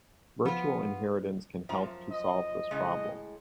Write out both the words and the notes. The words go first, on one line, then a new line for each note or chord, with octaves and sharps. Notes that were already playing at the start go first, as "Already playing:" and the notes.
Virtual inheritance can help to solve this problem.
F3 B3 F4
F#2 F3 A#5
D#5
A2 C#3 G#3